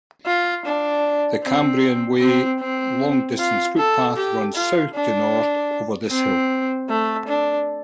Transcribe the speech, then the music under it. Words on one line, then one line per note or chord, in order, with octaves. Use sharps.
The Cambrian Way long distance footpath runs south to north over this hill.
F4
D4
C4
C4
C4
F4
A4
G4
F4
D4
C4
A3
D4